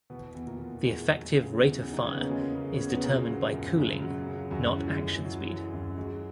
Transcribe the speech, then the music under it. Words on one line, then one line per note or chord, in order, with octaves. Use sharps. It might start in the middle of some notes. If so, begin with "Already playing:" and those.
The effective rate of fire is determined by cooling, not action speed.
E2 B2 B3
E2
A#2 A#3
E2
E2 G#3
F#3
C#3
E2 F#3
E2
D#4
C#3 C#4
B3
A#3
E2 G#3
C#3
E2 C#4
B3
A#2 C#3 A#3
F#3
F#2
C#3 G#3
F#3
C#3
F#2 F#3
E3
G#3
F#2
E3 F#3
E3
F#2
F#3 G#3